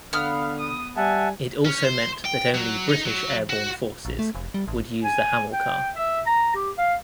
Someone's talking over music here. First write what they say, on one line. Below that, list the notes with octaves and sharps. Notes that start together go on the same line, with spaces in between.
It also meant that only British airborne forces would use the Hamilcar.
D3 B3 F5 F6
D#6
G3 E5 F#5 G#5 A5
C#4
C5
G5
F#3
D#4
F#3
F#4
A#1
A3
F1
G3
A1
G#5
G5
E5
A#5
G4
F5